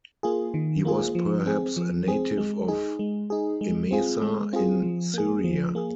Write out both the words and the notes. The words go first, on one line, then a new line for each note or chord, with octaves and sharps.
He was perhaps a native of Emesa in Syria.
A#3 F4 G#4
D#3
A#3 F4 G#4
F3
C4 G#4
F3
C4 G#4
G#3
D#4 G#4
G#3
D#4 G#4
G#3
C4 F4 G#4
G#3
C4 F4 G#4
F3
A#3 G#4
F3
A#3 G#4